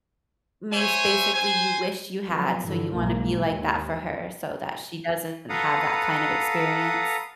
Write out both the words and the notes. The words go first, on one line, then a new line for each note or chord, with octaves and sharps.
miss basically you wish you had, so you wanna be like that for her, so that she doesn't have that kind of experience.
C5 C#5 E5 G#5
C5 G#5
F3 F#3 B3
G2 D3 E3
B1 G#2 A#3
D#2
A4 B4 F5 F#5 A#5 D#6